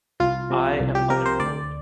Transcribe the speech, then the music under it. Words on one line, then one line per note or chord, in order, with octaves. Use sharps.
I am unemployed.
C2 F4
C3 F3
C2
G4
C3 F3 A#4
C5
D2 D5